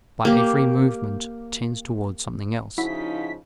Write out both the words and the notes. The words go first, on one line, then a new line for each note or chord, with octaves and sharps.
But every movement tends towards something else.
A#3 G4
C#3 F3 D#4 E4 F#4 B6